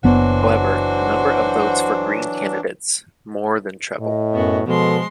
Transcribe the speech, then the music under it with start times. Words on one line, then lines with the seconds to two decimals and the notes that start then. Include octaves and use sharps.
However, the number of votes for Green candidates more than trebled.
0.04 F#1 E3 F#3 B3 D4 F#4 C5
4.00 A2 D#5
4.33 F#2 B3 F#4
4.67 B2 F3 G#3 A4 C6